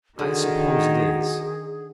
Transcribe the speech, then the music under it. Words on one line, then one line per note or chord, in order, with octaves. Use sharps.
I suppose it is.
D3 D#3 F#4 G#4